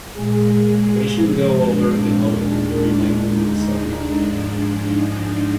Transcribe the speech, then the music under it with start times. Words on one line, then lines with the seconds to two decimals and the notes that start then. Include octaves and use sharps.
We should go over the whole very lightly with the softener.
0.12 A#2 G#3 G#4
0.65 G#4
1.16 G2 F3 G#3 C4
1.68 D4
2.20 D#2 D#3 G#3
3.23 D#2 D3 G#3 D#4
3.75 D4
4.27 G#2 F3 G#3 D4
4.78 D#4